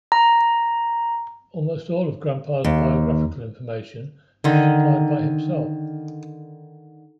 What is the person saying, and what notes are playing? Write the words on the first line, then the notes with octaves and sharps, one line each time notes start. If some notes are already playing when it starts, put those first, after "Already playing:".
Almost all of Grampa's biographical information is supplied by himself.
A#5
D#2
D3 D#3